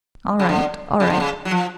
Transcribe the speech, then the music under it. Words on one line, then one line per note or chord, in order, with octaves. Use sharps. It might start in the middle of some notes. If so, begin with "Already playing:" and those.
"All right, all right...."
C#3
D3
C#3
D3
C#3
F#3
F3